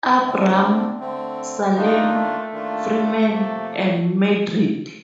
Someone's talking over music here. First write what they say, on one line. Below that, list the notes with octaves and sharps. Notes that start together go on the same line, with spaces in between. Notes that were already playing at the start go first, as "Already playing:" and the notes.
Abram, Salem, Freeman, and Madrid.
D3 A3 C4 D4
D3 A3 C4
D#3 A#3 D4 D#4 F4
A3
D#3 A#3 D4 F4
C3 F3 A#3